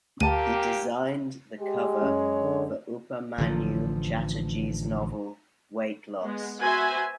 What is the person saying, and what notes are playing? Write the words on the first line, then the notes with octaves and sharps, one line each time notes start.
He designed the cover for Upamanyu Chatterjee's novel, "Weight Loss".
D2 A#2 A#3 G4 A5 D#7
G#3 G4
F#2 C#5
D3
A1 D3 E3 F3
G#3 B3
F#4 B4 C5 E5 G#5